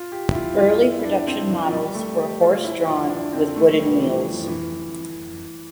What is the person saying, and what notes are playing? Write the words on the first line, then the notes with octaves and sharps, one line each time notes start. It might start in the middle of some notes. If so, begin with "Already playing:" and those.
Early production models were horse-drawn, with wooden wheels.
Already playing: F4
G4
E4
F4
E4
F4
E4
E4
D4
C4
E3
F3
G3
A3
G4
F4
E4
F4
D4
C4
A3
A3
G3
F3
E3
E3
F3
F3
E3